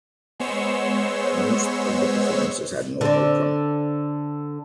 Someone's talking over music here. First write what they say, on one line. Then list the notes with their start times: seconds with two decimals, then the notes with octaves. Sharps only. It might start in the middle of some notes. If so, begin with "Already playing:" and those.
Most of the performances had no outcome.
0.40 G#3 B3 C5 C#5 E6
3.01 D3 C4